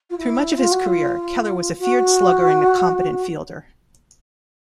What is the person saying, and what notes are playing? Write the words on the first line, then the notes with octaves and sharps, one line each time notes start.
Through much of his career, Keller was a feared slugger and a competent fielder.
F4
E4
F4
F#4
F4
F#4